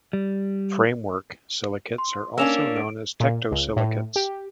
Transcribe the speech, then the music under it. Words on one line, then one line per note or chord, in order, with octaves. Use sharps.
Framework silicates are also known as tectosilicates.
G3
C6
A#3 C#4 D4 E6 E7 F7
D7
A#2
C#2
A2
G4